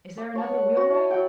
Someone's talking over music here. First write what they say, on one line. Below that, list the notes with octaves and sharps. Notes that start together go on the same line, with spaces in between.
"Is there another wheelwright?"
D6
C#5 A5
F#5
F#4
E4 A5
F#3 F#5 G5